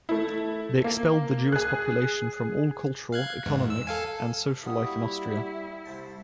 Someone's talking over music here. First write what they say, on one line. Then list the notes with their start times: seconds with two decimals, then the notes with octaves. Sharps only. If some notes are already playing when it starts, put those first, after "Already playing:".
They expelled the Jewish population from all cultural, economic and social life in Austria.
0.09 A3 E4
0.84 A#3
1.52 G#4 F#6
3.12 F5 F#6 G#6
3.46 E2 G#2
3.70 E6
3.87 A4 F5 G#5
4.66 A#2 G3 E4 F#4 D#6
5.86 C2 C5 A5